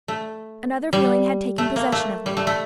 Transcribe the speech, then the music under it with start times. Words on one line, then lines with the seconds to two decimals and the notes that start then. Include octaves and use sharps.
Another feeling had taken possession of me.
0.08 A3
0.93 G3
1.58 A3
1.76 A#3
1.92 A3
2.26 G3
2.37 A3
2.47 A3